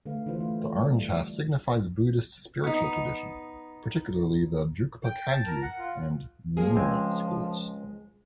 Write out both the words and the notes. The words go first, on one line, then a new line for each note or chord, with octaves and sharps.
The orange half signifies Buddhist spiritual tradition, particularly the Drukpa Kagyu and Nyingma schools.
D3 A3 B4 F5
D3 E3 D4 F4 B4 C5
A3
G3 C4
B3 D#4
G5
A5
A#4
F#5
F4
F3 G#3 A#3 G#4
C#2 G#3 C4 G#5